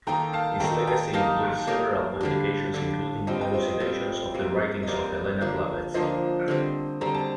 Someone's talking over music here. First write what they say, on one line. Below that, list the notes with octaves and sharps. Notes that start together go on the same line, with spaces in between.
His legacy includes several publications, including elucidations of the writings of Helena Blavatsky.
D#3 A#3 D#4 A4 G5 A#5
F5 A5
D#3 A#3 D#4 A4 G5 A#5
G5 A#5
A#3 D#4 G4 A#4 F5 A5
A#3 D#4 G4 A#4
D3 G3 D4
D3 G3 D4
G3 C4 F4 D#5 G5
D#5 G5
C5 D#5
C5 D#5
G3 C4 F4 A4 C5
C3 G3 A#3
D#5
C3 G3 A#3 A#4 D5
D3 F3 A#3 D4
D3 F3 A#3 D4 C5 D#5
D3 G3 C4
D3 G3 C4 A#5
A5